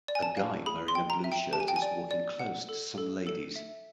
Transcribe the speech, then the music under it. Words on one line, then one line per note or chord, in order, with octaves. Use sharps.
A guy wearing a blue shirt is walking close to some ladies.
D5
G#5
A5
F5
G#4 B5
C6
G5
A#5
E5
G5
G4 A5
G#5
G5
G#5
D5
D5
F#5
A4
A4
A4
E5